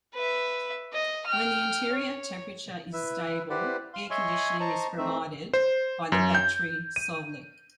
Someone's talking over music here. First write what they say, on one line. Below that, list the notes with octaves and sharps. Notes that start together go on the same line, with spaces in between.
When the interior temperature is stable, air conditioning is provided by the battery solely.
B4 E5
D#5
G5 F6
C#5
E4 B4 E5
E4 G4 B4 C5 D5 F#5
F5 C6
C#5 D#5 E5 G#5 C6 C#6
C5 D#5 A5 A#5 C#6
A3 C4 D#4 E5
C5
F#2
G6
D#7